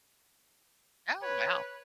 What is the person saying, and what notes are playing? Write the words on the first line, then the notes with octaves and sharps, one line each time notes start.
Oh! Wow.
B4 C#5